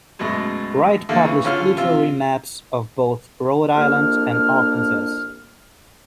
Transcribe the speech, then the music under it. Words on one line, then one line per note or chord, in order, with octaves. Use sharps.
Wright published literary maps of both Rhode Island and Arkansas.
F#2 B2 G#3 A3
D3 A3 A#3
C#3 E3
D3 C#4 F4 F5 F6
C3 F4 E6
C2 F2 A#3 D4 F6